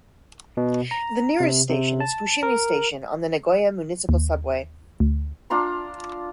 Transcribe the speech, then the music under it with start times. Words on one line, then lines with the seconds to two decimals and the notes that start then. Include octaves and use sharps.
The nearest station is Fushimi Station on the Nagoya Municipal Subway.
0.57 B2
0.91 A#5
1.40 C3
1.69 C3
2.00 A5
2.43 A#4
4.09 D#2
5.00 D2
5.50 D4 F4 A#5 C6